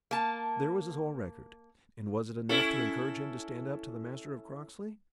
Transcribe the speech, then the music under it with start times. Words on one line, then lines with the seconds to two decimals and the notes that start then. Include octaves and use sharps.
There was his whole record, and was it enough to encourage him to stand up to the Master of Croxley?
0.11 A#3 A5
2.49 C#4 E4 A4